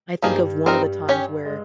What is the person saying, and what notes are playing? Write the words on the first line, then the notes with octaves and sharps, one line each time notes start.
I think of one of the times where
G2 F3 G3 A#3 D#4 G#4
G2 G3 C4 D#4 A#4
C#4 G4 C#5
G#3